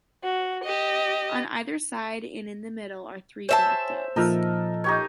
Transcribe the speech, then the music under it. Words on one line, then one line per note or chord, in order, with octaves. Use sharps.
On either side and in the middle are three black doves.
F#4
G4 D#5
C5 C#5 E5 G#5 A5
A#2 F3 D#4 A4 A#4
D#4 G4 C#5